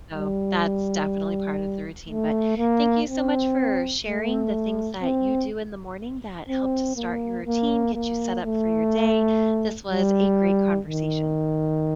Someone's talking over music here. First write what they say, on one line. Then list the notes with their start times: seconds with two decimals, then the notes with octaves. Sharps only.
so, that's definitely part of the routine, but thank you so much for sharing the things that you do in the morning that help to start your routine, get you set up for your day, this was a great conversation.
0.14 G3
2.10 A3
2.58 A#3
3.07 C4
4.04 A3
5.03 C4
6.49 C4
6.97 A#3
7.46 A#3
7.95 A#3
8.44 A3
9.91 G3
10.87 D#3